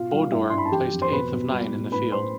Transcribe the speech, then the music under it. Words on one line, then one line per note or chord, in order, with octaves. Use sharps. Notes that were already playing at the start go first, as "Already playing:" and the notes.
Bodor placed eighth of nine in the field.
Already playing: B2 F4 F5
G3 F4 F5
G2 E4 E5
G2 C6
B5
A5
E3 G4 G5
F2
C5 C6
B2 B4 B5
B2
G3
A2
A2 B4 B5
A2 C5 C6